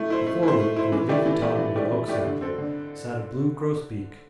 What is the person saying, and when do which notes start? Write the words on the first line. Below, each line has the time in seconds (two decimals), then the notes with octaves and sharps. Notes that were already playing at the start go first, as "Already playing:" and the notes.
Before me, in the leafy top of an oak sapling, sat a blue grosbeak.
Already playing: A3 E4
0.10 E4 C5
0.27 A3
0.43 E4
0.48 C5
0.60 A3
0.76 E4 C5
0.92 E3
1.09 A3 E4 G4 D5
1.26 E3
1.42 A3 E4 G4 D5
1.58 E3
1.76 A3 E4 G4 D5
1.92 E3
2.08 A3 E4 G4 D5
2.25 D3
2.41 C4 A4
2.58 D3